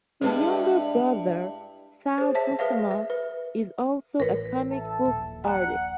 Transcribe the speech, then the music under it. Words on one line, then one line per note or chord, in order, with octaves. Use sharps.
His younger brother Sal Buscema is also a comic book artist.
G2 G#3 D4 E4 G4 G#4 B4 A5
G#4 C5
C#5 E5 A5 B6
G#4 B4 E5 F5
E5
B4
A1 A2 A#4 B4 C#5
A4 E5 A5
D#1 A#1
D5 F#5 G5 A#5